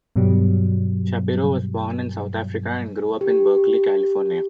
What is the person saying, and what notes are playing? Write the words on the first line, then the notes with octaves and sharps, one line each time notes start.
Shapiro was born in South Africa and grew up in Berkeley, California.
G2 B2 F#3 G3
G4